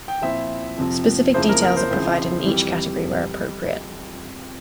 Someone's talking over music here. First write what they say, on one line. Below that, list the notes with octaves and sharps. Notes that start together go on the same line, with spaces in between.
Specific details are provided in each category where appropriate.
G5
A#2 F3 C4 E4 E5
F2 C3 F3
F2 C#3 F3 A#3 E4 C5
A#4
A#4
C5
C#2 C#3 F3 C4 E4
F2 E3 G3